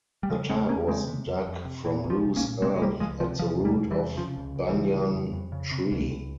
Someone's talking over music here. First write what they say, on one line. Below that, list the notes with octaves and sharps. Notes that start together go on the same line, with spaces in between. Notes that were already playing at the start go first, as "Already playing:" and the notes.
The type was dug from loose earth at the root of a banyan tree.
G3
C#3 F3 G#3
E2 G#3 C4
E2 A#3 C#4
C#3 G#3 C4
C3
F2
F2
C3
A#2 E3
C2
F3
C2
A#3 C#4
A#2
C3 G#3 C4
G#3
C#2 G3 A#3
C#2 F3 G#3
C3 F3
C3 F3
E2
G3 A#3
E2
E3 G3
C3
C#3 F3
C#2
C#2
E3 G3
C#3
C#3
F2
F2
C#3
C3
C#2
C#2